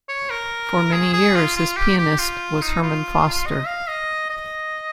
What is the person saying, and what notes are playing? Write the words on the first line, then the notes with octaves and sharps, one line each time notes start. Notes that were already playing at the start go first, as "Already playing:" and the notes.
For many years his pianist was Herman Foster.
C#5
A#4
G#4
G#4
F4
F4
G4
G4
F4
D#4
F4
D#5
F5
D#5
D#5